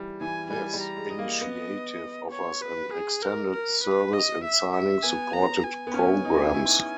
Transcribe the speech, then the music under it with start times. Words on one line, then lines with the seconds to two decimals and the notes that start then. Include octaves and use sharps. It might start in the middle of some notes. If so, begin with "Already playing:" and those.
This initiative offers an extended service in signing supported programmes.
Already playing: E3 G3
0.21 E3 G#5
0.50 G3 G#5
0.73 G3
0.81 A#5
0.96 G#3
1.12 D#5
1.19 A#3
1.41 B3
2.31 C#5
2.62 B4
2.93 G#4
3.23 A#4
3.53 A#4
3.83 B4
4.13 D#5
4.44 E5
4.73 E5
5.03 B3 G#5
5.33 A#5
5.64 G#5
5.87 B3
5.94 C#4
6.25 D#4
6.54 E4